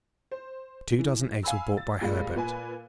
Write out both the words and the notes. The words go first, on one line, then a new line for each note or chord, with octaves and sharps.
Two dozen eggs were brought by Herbert.
C5
E3
F5 G#5 B5 E6
A6
A#2 G3 G#3 F4
A#2 B4 G#5